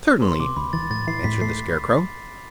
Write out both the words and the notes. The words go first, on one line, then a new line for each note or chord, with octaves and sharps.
"Certainly," answered the Scarecrow.
B3 C6
C3 D6
D2 B5
E3 A6
A2 A6
E3 C7
A2 B6
A3 C7